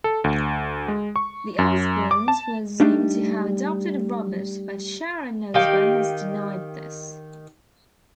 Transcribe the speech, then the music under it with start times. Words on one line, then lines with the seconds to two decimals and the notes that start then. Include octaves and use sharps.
The Osbournes were assumed to have adopted Robert, but Sharon Osbourne has denied this.
0.04 A4
0.24 D2
0.88 G#3
1.16 C#6
1.59 F#2
2.11 D6
2.28 A5
2.80 G3 A3 D4 D#4
5.54 D#3 G4 F5 G5